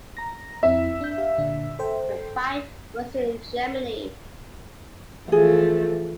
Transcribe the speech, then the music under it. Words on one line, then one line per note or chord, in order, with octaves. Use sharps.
The fight was in Germany.
A#5 A#6
F2 C4 E4 E5
D4 G6
G4 F5
A#2 D3 D4
A4 C5 G5
E3 F3 A3 G#4 F5